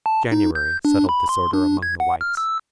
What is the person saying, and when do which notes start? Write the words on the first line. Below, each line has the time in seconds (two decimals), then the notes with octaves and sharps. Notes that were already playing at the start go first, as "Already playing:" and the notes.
January settled disorder among the whites.
0.06 A5
0.32 D#4
0.55 G6
0.85 D4
1.09 B5
1.29 C6
1.53 D4
1.83 G#6
2.00 F#5
2.21 F6
2.37 E6